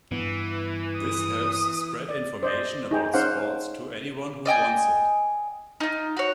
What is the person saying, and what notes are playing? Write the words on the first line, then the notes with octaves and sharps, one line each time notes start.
This helps spread information about sports to anyone who wants it.
G2 E3 B3
D#6
D5
C5 D5 D#5
D#4 G#4 G5
C#4 D#4 C5 F5 F#5
D5 D#5 G5 G#5
D#4 F4
F#4 C#5